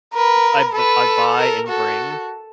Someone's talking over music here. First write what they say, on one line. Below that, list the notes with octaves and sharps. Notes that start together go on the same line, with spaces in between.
I b I buy and bring
A#4 B4
A4 B4
A#4
F#4 A4